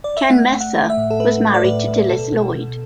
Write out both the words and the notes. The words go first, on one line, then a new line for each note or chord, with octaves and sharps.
Ken Messer was married to Dilys Lloyd.
D5
E5
A3 F#5
A3
F#5
A3
E5
A2
A4
A3 B4
A3
D5
A2 B4
A2
B2 A4
B2
B2